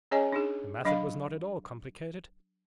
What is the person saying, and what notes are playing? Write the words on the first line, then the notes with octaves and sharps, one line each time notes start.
The method was not at all complicated.
C#4 G#4 C#5 D#5 G#5
D4 D#4 G#4
F#3 D4 D#5 F5 B5